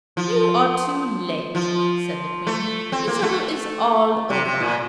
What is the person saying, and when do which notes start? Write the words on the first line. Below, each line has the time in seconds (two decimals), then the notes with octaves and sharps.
"You are too late," said the Queen; "the trouble is all over."
0.17 F3
1.55 F3
2.47 A3
2.92 C4
3.08 A#3
3.22 A3
4.30 C3
4.45 C3
4.60 A#2